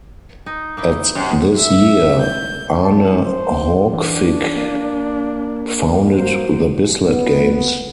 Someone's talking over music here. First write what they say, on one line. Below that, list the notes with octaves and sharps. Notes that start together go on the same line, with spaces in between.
At this year Arne Haukvik founded the Bislett Games.
D#4
A#3 D#4 E4
F#2 C3 G#3
E5
G6
A5
C5
E3 D4
A#3
F#3 C5
B3